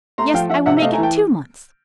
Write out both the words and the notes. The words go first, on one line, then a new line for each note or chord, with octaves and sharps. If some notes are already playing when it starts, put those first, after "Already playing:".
Yes, I will make it two months.
A3 A#5 C6
F3 F5 G5
F3 E5 F#5
C3 E5 F#5
E5
A3 D#5 F5
G#5 A#5
E3
G5 A5